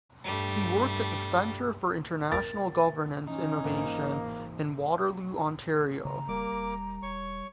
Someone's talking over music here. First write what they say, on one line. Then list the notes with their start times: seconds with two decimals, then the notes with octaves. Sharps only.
He worked at the Centre for International Governance Innovation in Waterloo, Ontario.
0.23 G2 G3 A3
2.32 A#4 A6
3.27 E3 C#4 D#4
3.64 G#1 A#3
6.05 C#3 A#5
6.29 D#1 G3 A#3 D6
6.52 E1
7.03 E1 C#5 C#6